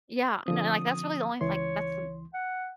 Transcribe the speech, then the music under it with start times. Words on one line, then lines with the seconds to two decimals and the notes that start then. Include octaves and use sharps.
Yeah, and then, like, that's really the only, like that's
0.46 D3 F3 C4 D#6
1.41 C#2 E3 C#5 C6
2.34 F#5